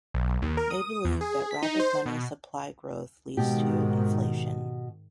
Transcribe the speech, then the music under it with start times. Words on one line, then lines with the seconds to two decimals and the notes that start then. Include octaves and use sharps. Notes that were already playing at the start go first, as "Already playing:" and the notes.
They believe that rapid money supply growth leads to inflation.
0.14 B1
0.42 D#2
0.57 A#4
0.70 D#6
1.05 E2
1.21 G#4
1.51 B6
1.63 D#4
1.80 C5
2.06 B2
3.37 G#2 B2 D#3 G4